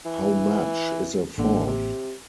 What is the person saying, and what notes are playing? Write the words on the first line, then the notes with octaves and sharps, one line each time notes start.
How much is a fourth?
E3
A1 D3 A#3
C3